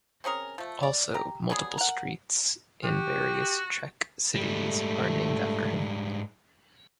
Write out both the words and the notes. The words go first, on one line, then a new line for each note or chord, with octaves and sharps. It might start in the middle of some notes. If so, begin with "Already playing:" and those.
Also multiple streets in various Czech cities are named after him.
C4 C#4 G#4 A#4
F3 A3
D5
G4 A#5
F#3 G3 B3 G#4
A#4 F#5
F#4 G4
G#2 G3 A3